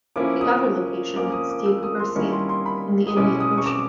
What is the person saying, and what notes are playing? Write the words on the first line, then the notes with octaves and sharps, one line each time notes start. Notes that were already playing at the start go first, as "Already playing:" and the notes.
The other location is Diego Garcia in the Indian Ocean.
F3 A#3 C#4 E4 D6
D#6
F3 A#3 C#4 D6
D#6
D6
E6
D#6
C6
D#3 G3 A#3 C#4 E4 C#6
C6
C6
B5
D#6
B2 G#3 C#4 E4 D6
D#6
C#6
D6